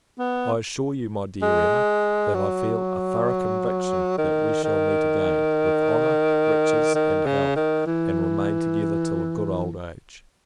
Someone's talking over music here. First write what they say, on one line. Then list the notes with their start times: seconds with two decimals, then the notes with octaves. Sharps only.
I assure you, my dear Emma, that I feel a thorough conviction, that we shall meet again, with honour, riches, and health, and remain together till a good old age.
0.19 B3
1.42 G#3
2.34 F#3
4.18 D#3
4.64 D#3
6.95 D#3
7.26 C#3
7.56 D#3
7.86 E3